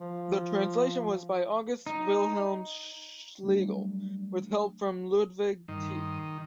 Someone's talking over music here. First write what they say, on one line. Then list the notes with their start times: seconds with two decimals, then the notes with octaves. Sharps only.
The translation was by August Wilhelm Schlegel, with help from Ludwig Tieck.
0.01 F3
1.86 D#4
3.43 F#3 G3 A3 D4
5.68 G2 D#3 C6 D#6